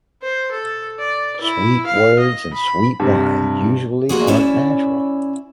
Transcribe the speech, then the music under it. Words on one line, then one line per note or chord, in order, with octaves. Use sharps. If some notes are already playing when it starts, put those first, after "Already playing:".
Sweet words and sweet wine usually aren’t natural.
C5
A4
D5
E4
F5
D#5
B5
G2 C3
A#3 F4 F#4 G#4
C#4 E4 C#5 D5 E5